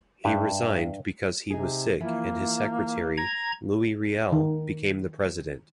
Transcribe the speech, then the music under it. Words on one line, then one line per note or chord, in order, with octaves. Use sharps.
He resigned because he was sick and his secretary, Louis Riel became the president.
G2 E5
C3 D#4 G#4
E3 F3 A#3 E4
A#5 G#6
D#3